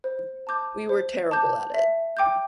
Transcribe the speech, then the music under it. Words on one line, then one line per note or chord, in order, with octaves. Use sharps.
We were terrible at it.
C5
A5 D6 G6
C5
A5 D6 G6
E5
G5 D6 G6